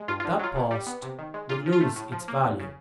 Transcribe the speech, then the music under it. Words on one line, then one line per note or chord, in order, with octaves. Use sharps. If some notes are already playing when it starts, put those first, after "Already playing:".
"That post would lose its value."
Already playing: G#3
G2 F4
F4
D3
F#3 F4
B2
G3
B3
C3
D#3
G#3
A#2 F4
F3
F4
A3
A2
F3
A#3
E2
C#3